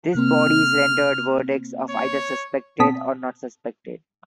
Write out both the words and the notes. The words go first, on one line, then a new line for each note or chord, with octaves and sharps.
These bodies rendered “verdicts” of either suspected or not suspected.
C3 A#3 C4 F6
C#5
B2 C4 A5 D#6 B6